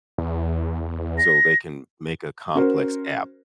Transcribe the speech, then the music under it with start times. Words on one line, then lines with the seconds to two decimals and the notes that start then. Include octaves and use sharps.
so they can make a complex app.
0.18 E2
1.18 A#6
2.55 C#4 F#4 A#4 C5